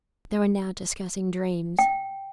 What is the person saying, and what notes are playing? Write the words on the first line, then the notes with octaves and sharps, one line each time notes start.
They were now discussing dreams.
G5